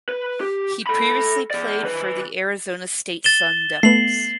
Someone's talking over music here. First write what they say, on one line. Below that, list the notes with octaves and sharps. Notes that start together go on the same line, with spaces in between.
He previously played for the Arizona State Sun Devils.
B4
G4
A4 B5
G#4 D5
D#3 B4
A6 E7 G7
A3 B3 C7 F#7